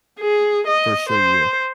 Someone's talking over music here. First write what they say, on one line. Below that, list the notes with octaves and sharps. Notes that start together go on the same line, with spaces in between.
for sure you will.
G#4
D#5
C5